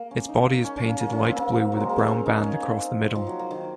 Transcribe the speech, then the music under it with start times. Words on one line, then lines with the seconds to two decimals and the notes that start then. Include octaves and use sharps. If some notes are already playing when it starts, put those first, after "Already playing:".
Its body is painted light blue with a brown band across the middle.
Already playing: A#3
0.11 C#4
0.29 D#4
0.64 C#4
0.76 C#4
0.89 A#3
1.00 A#3
1.12 C#4
1.24 C4
1.36 A#3
1.72 F#3
1.80 G#3
1.89 A#3
1.98 C4
2.08 C#4
2.26 D#4
2.43 C#4
2.61 C4
3.15 F3
3.27 F#3
3.39 A#3
3.51 D#3